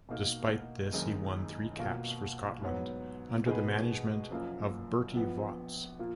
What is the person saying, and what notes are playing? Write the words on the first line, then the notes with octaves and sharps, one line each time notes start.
Despite this, he won three caps for Scotland under the management of Berti Vogts.
B2 A#3 D#4 A#4
F#1 F#2 D#3 G#3 D#4
B2 A#3 F4
G#2 F#3 B3
B2 G#3 D#4 G#4 B4
F#1 F#2 F3 A#3
A#1 A#2 F3 B3
A#2 F3 A#3